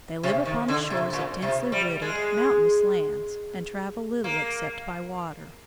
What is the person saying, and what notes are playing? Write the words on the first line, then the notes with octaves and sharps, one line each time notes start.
They live upon the shores of densely wooded, mountainous lands and travel little except by water.
C3
D#3
D3
C3
A#2
C3
G3
G#3
A#3